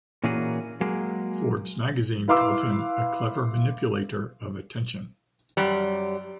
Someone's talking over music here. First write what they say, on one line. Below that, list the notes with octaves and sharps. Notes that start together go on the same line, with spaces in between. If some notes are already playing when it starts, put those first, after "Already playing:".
Forbes magazine called him “a clever manipulator of attention”.
A#2 E3 A#3 C#4 F#4 G#4
F#3 G#3 A#3 G#4
E4 B4 F5 C6 D6 E6
F#2 G3